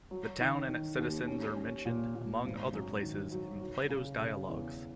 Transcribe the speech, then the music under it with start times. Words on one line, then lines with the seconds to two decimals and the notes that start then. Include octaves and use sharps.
The town and its citizens are mentioned, among other places, in Plato's Dialogs.
0.11 F#3
0.41 D#3
0.69 D#3
0.99 D#2
1.28 C#4
1.56 C#4
1.85 A#2
2.15 A#2
2.45 G#1
2.74 F#2
3.02 D#3
3.32 F#3
3.61 F#3
3.89 C#3
4.19 C#3
4.48 E2